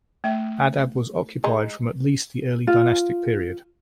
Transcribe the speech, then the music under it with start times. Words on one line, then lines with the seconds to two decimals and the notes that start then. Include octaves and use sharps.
Adab was occupied from at least the Early Dynastic period.
0.24 A3 E5
1.44 G#3 D#4
2.67 F4